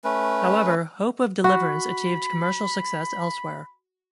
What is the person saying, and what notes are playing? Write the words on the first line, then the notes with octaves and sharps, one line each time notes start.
However, "Hope of Deliverance" achieved commercial success elsewhere.
A3 C#4 B4
F#4 B5